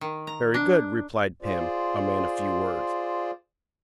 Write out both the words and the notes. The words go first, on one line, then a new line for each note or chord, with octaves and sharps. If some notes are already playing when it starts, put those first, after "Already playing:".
"Very good," replied Pim, a man of few words.
D#3
A#5
D4
F4 G#4 C5 D5